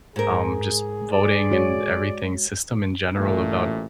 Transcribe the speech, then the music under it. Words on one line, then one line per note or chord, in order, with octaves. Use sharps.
um, just voting and everything system in general about
G#2 G#4 A#4
D5
G#3 F#4 C#5
A1 A#2 A3